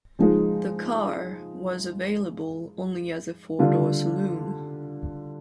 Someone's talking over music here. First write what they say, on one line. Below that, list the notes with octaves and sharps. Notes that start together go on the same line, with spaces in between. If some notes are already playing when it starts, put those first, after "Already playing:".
The car was available only as a four-door saloon.
F3 G#3 D#4 G#4
D3 G3 D4 F4